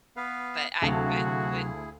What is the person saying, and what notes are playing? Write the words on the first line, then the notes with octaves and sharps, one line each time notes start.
But I eh, when
B3 B4 F5
D2 C3 F#3 E4 F#4 G#4 F5 A5